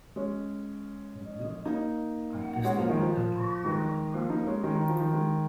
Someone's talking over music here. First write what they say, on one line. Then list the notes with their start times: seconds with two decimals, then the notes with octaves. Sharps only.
He built and tested the "Turtle" locally.
0.16 G#3 C#4
1.66 A#3 D#4
2.64 G#3 C#4
2.77 F3 A#3
2.90 D#3 G#3
3.02 F3
3.65 D#3 G#3
4.14 F3 A#3
4.30 A#3 D#4
4.47 G#3 C#4
4.63 D#3 G#3
4.75 D#3
4.89 F3
5.00 D#3
5.13 D#3 G#3